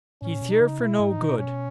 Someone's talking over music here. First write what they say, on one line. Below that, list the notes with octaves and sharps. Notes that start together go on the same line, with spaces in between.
He's here for no good.
A2 C#4
B2
D#4
C#3
B2 E4
G#2
D#4
B2
C#4